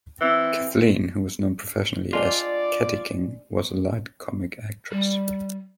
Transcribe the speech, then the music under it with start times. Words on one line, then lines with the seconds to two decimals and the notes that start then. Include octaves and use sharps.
Kathleen, who was known professionally as "Katty King," was a light comic actress.
0.21 E3 C4
2.13 G#3 C4 D4 F4 D5
4.91 G3